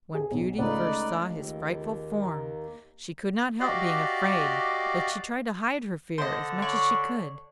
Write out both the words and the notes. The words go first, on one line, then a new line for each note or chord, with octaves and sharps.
When Beauty first saw his frightful form, she could not help being afraid; but she tried to hide her fear as much as she could.
G#4
B1
C#2 A3 D#4 B4 D5
D#2
A#5
F#4 G4 D5 D#5 F5
D3 C5 D#5
C#5 D5 C#6